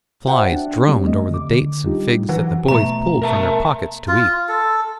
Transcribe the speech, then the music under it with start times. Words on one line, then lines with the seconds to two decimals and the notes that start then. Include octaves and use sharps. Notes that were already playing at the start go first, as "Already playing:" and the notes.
Flies droned over the dates and figs that the boys pulled from their pockets to eat.
0.27 F#4 C5 E5 F#5 G5
0.52 D4
0.87 G3 A#3 C4 G4
1.05 A3 D#5
1.30 D3 D6
1.86 G3 D4 D#4 F4 G4
2.29 E3 F#3
2.68 B2 A3 A#5
3.22 A#4 E5 A5
4.08 F4
4.49 A4